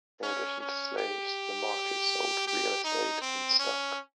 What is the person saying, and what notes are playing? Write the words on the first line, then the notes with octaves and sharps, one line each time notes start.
In addition to slaves, the market sold real estate and stock.
C#4
C#4
G4
G4
D#4
C4
C#4